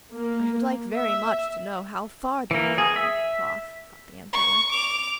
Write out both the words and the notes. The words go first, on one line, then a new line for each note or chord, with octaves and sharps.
'I should like very much to know how far they have got on with the cloth,' thought the Emperor.
A#3
E5
E3 A#3
G#4
E5
C#6
D6 F7